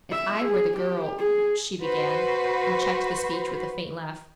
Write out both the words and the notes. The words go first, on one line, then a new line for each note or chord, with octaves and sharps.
'If I were the girl,--' she began, and checked the speech with a faint laugh.
E5
G#4
G4
G#4
F#4 B4 C5